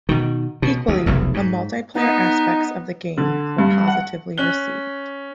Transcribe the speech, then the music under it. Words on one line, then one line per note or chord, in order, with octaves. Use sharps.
Equally, the multiplayer aspects of the game were positively received.
B2 D#3
B2
D2
F1 B1 E2
G#2
B3 D#4
D3
G2
F#5
C#4 F#6 G7